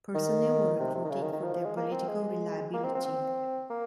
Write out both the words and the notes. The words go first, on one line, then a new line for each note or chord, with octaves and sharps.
Personnel were recruited for their "political reliability".
D#3
C3
C3
D#3
C#3
D#3
D#3
F3
F3
G#3
A#3
C4
G#3
A#3
C4
C4
C4
A#3